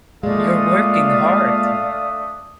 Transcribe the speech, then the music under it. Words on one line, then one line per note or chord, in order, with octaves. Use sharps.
You’re working hard.
A#2 G#3 A3 D4 D5 F5 D#6